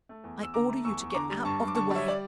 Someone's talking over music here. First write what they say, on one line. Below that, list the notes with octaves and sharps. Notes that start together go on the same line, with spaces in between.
I order you to get out of the way.
A3
E2
E2 E6
D3 A#5 D6
A3
E2 C#6 E6
E2
C#6
D3 A#5 D6
G3
G2 A5 C#6
G2
D6
D3 A5 C#6
G3 C#5 E5
D5